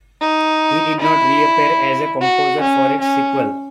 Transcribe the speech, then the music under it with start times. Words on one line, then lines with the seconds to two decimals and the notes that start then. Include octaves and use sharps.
He did not reappear as a composer for its sequel.
0.21 D#4
1.00 E4
2.21 F#4
2.61 C#4
3.01 C#4